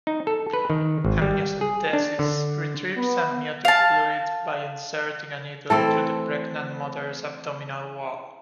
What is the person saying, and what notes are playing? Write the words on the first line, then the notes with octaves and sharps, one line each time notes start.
Amniocentesis retrieves amniotic fluid by inserting a needle through the pregnant mother's abdominal wall.
D#4
A4
B4
D#3
G#1
G3
G#4
D4
D3
B3
F5 A5
E3 A3 C4 A4